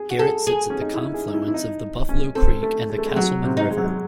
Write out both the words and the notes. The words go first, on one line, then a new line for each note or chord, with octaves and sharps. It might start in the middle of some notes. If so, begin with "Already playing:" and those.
Garrett sits at the confluence of the Buffalo Creek and the Casselman River.
Already playing: G#4
F#4
G#4 A4
G#4
C#4
D#4
E4
G#4
D#4
E4
E4
D#4
C#4
C4 A4
A3
G#3
A3
G#3
F#3 F#4
C3
D#4
G#3
F#3
G#3